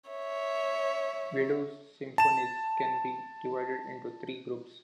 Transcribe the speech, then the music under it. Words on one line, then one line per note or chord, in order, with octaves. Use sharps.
Widor's symphonies can be divided into three groups.
C#5 E5
A5 E7